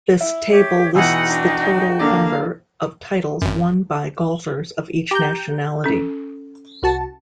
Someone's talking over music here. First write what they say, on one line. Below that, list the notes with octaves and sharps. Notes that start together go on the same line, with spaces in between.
This table lists the total number of titles won by golfers of each nationality.
E4
G4 C#5
E2 B2 E3 D#4 F#4 G#4 F#5 G5
D4
D3 A#3 D4 D5 F5
G#1 F#2
G4 A#5 D6 G6
C#4 A4
C2 F#4 A5